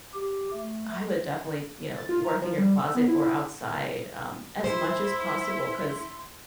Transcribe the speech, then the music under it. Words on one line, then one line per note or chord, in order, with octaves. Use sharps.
I would definitely, you know, work in your closet or outside, um, as much as possible, 'cause
G4
A3
A6
F4
A#5
F3
G3
E6
B3
E4
E4
E4 C5 C6